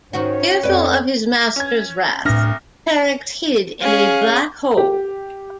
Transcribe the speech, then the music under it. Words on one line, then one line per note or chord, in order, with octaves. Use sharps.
Fearful of his master's wrath, Terrax hid in a black hole.
G#2 D#3 C#4 F#4 C#5
F2 B4 D5
C#4 G#6
C2 A2 D4 F6 A#6
C#4 G#4 F5
G4